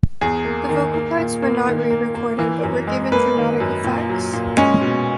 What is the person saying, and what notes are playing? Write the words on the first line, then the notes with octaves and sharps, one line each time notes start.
The vocal parts were not re-recorded, but were given dramatic effects.
E2 G#4
A#3
D#3
A#3
A#2
A#3
D#3
A#3
A#3
E3
F#2
G#3
A#3 B4
D#3
F#2
A#2
F#3
A#2
G#3 C#4
B2